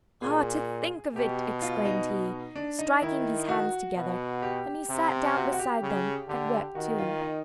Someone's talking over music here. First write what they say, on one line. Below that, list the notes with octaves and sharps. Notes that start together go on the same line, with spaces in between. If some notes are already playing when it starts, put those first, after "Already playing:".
'Ah, to think of it!' exclaimed he, striking his hands together, and he sat down beside them and wept too.
A#2 G#4
B2 G4
F4
D#4
D4
D#4
D#3 E4
F#4
B2
G4
C3
F#4
F#4
G4
C#3
D3 G4
D#3 F#4
F4
D#4